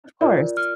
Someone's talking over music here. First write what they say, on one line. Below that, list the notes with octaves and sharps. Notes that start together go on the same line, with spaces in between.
Of course.
F4 A#4 D5
F6